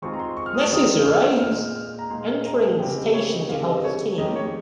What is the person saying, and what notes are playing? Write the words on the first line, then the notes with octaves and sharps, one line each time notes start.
Nessus arrives, entering the station to help his team.
D#3 G#3 C4 F4 G#4 C#6
A#5
C6
C#6
F6
D#6
D#3 G#3 C4 F4 G#4 D#6
G6
F6
A#2 G#3 D#4 F6
F6
A#5
A#2 G#3 D#4 C6
A#5
G#5
C#3 G3 C4 G4 G5
D#5
C#5
D#5
C#3 G3 C4 G4 F5
D#5
D#5
C#5
F2 D#3 G#3 C#4 G4 D#5
C#5